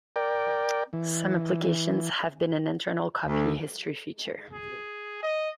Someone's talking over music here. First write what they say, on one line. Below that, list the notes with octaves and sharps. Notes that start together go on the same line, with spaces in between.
Some applications have an internal copy history feature.
A#4 D5 G5
E3
D2
G#4
D#5